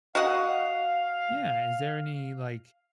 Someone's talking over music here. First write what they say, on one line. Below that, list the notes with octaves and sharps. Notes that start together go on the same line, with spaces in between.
Yeah, is there any, like,
F#4 D#5 F5 F#5